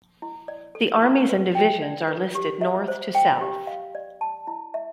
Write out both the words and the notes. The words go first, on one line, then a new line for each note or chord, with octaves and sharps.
The armies and divisions are listed north to south.
E4
D5
A4
E4
B4
G5
D5
B4
G4
E5
C5
G5
G4
F5
D5
A5
E4
E5